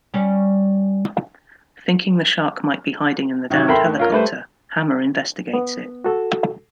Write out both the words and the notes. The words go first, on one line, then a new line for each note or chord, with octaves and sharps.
Thinking the shark might be hiding in the downed helicopter, Hammer investigates it.
G3 C#4
C3 D#3 F#3
A4 A#4 E5 G5 B5 C6
D2
C#4 F4 A#4
G3 A3 B4 C5
B3
F#4 A4